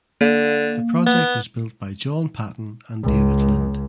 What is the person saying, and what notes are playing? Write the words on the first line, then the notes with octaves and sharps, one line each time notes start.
The project was built by John Paton and David Lind.
D3 A#3
B3
C#2